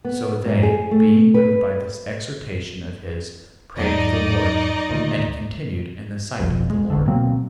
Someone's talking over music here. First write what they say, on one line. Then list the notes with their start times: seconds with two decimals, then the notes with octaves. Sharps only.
So they being moved by this exhortation of his, prayed to the Lord, and continued in the sight of the Lord.
0.05 B3
0.45 G#2
0.63 G#4
0.91 A3
1.34 B4
3.77 E2 G#2 F#3 D#4 D5 D#5
4.89 D2 A#2 D#3
6.40 F1 B1 F2
6.70 G#3
6.90 G#1 D2 D3
7.07 B2 F#3 A#3 C4